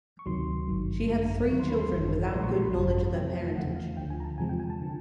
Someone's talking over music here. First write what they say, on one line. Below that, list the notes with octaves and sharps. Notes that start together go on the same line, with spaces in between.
She had three children without good knowledge of their parentage.
C#6
D2 C3 D#3 F#3 C6
G#1 G2 D#3 F#3
G#1 F#2 D3 G3
D#2 D#3 F#3 C#6
C6
B5
C6
G#1 F#2 D#3 G3
B5
B1 A#2 F3 G#3 C6
C#6
C6
B5
G#1 F#2 C#3 A5
F2 C3 F3 A3 G5
E2 C#3 F3 A3 F#5
F5
D2 D3 F3 G5
G#5
A#5
A5
E2 C3 F3 G#3 G#5
G5
G#5
A5
D3 F3